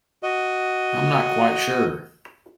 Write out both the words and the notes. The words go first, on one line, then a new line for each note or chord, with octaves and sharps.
I'm not quite sure.
F#4 D#5